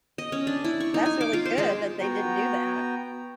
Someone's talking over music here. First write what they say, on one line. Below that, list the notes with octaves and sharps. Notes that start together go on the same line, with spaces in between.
That's really good that they didn't do that.
D#5
C#4
D4
E4
C#6
D#4
G#5
D6
F4
C5
G#3
B3 F#4 G5 A#5